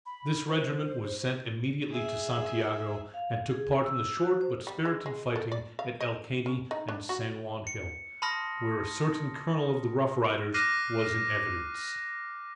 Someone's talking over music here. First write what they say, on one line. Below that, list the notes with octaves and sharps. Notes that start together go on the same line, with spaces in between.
This regiment was sent immediately to Santiago, and took part in the short but spirited fighting at El Caney and San Juan hill--where a certain Colonel of the Rough Riders was in evidence.
B5
C5
G#4 E5
F5
G#4
E6
F#4
C5
G3
G#3
G#3
A4
D5
F5
D#5
C#4
D#4
D4
F#4
C#7
A5 B5 C6 D#6 F6 A#6
D6 F6 F#6 A#6 C7 D#7